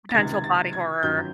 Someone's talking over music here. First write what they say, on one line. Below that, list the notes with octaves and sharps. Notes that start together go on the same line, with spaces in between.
potential body horror.
A6
C#2 C3 D#3 G#6
G#6
A6
G#6
G1 F#2 D#3 F#3 G6